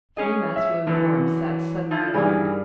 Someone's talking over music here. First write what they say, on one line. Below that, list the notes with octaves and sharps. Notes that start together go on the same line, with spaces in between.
Three masculine forms sat suddenly erect.
C#4 G#4 D#5
E5
F#2 D3 E3 F#3
F3 E4 F4
G2 D#3 E3 G3 G#4